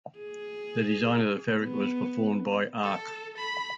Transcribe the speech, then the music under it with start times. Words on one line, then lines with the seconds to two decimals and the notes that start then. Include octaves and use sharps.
The design of the fabric was performed by Arq.
0.18 G#4
1.59 B3
2.83 A4
3.37 B5